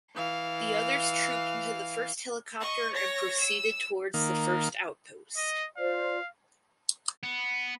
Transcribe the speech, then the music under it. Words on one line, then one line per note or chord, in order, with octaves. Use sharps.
The others trooped into the first helicopter and proceeded towards the first outpost.
E3 F5
D#5 C#6
C#5 A#6
E6
D#3 A#3
D#5
F4 C5 D5 F5
B3